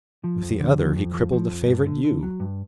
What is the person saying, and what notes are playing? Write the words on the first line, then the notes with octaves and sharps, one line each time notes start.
With the other he crippled a favorite ewe.
F3
F2
D3
F3
F2
F3
F3
F2
G2
D3
D3
F#3
G2